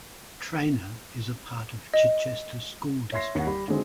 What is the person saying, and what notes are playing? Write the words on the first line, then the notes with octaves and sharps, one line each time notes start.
Trainer is a part of Chichester School District.
D#5
C#5 E5 C6 G#6 A#6 C7
D#2 F#5
G3 B5
D3 D#3 G#3 C4 F#4